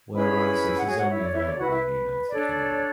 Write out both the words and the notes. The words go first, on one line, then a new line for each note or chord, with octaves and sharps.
Whereas it is only available in United Kingdom.
C#4 E4 G#4 B4 B5
F#5
F#4 G#4 C#5 G#5
F#4 F#5
E4 E5
D5
E4 E5
D5
E4 F#4 B4 F#5
E4 E5
D4 A4 C#5 D5